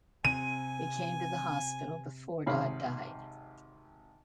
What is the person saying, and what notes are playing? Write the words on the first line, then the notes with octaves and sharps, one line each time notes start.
They came to the hospital before Dodd died.
C3 C4 G#5 D#7
G#1 C3 G#4 C#5 F5 B5